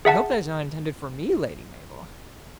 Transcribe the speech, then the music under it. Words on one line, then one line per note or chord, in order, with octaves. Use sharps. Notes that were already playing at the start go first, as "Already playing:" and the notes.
"I hope that is not intended for me, Lady Mabel."
G#4 E5 F#5 A5